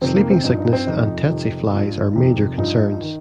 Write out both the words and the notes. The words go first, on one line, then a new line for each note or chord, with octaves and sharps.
Sleeping sickness and tsetse flies are major concerns.
F2 C3 D#3 C4
A#3
C4
G2 F3 D#4
D#4
C4
F2 C3 F3 D#4
F2 C3 D#3
G2 F3
F2 C3 D#3
G2 F3 D#4
D#3